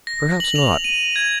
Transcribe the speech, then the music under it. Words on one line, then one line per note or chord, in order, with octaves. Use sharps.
Perhaps not.
A#6
F#7
F7
D#7
G#6